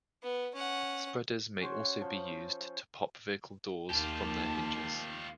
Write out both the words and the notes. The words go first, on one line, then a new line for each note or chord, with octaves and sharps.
Spreaders may also be used to "pop" vehicle doors from their hinges.
B3
C#4 F#5
C#4 F#4 C5 C#5
F3
D#2 F4 G4 A5